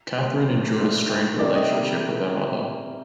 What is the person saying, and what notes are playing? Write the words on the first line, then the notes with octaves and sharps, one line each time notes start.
Katharine endured a strained relationship with her mother.
C3 G3 A#3 C5
C3 F3 A#3
G2 D3 A3 C5
A2 A3
C3 D#3 A3 D5
D#5
C3 G3 A#3